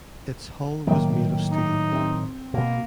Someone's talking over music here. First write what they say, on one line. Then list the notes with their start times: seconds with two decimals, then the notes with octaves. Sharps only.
Its hull was made of steel.
0.87 A2 D#3 F#3 A#3 G5
1.52 D#4
1.92 C4
2.54 B2 A#3